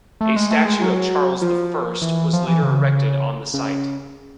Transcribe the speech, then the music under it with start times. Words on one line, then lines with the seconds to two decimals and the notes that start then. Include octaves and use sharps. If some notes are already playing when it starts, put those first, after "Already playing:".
A statue of Charles the First was later erected on the site.
0.21 A3
0.36 G#3
0.51 A3
0.65 G#3
0.81 F#3
1.41 F3
2.02 E3
2.33 F3
2.47 E3
2.62 C#3
3.54 C#3